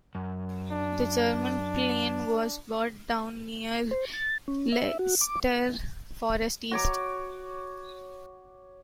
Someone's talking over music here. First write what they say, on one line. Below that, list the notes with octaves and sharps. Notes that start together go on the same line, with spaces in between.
The German plane was brought down near Leicester Forest East.
F#2
D4
C5
A6
C#4
E5
F#4
D6
F#4 C#5 D6